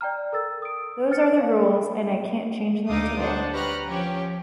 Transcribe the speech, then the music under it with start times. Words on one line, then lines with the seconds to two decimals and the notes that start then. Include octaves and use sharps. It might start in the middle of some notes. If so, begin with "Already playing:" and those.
Those are the rules and I can't change them today.
0.01 D5 G5 A#5 F6
0.33 A4 A#4 E6 A6
0.62 D#6 D7
1.11 C5 F6 A6 C#7
1.41 F5
2.88 D2 A3 D#4 F5 D6 D#6
3.17 D4 C5 C#5 F#5
3.52 G4 B4 A#5 C#6 F6 F#6
3.84 F3 C#4 G4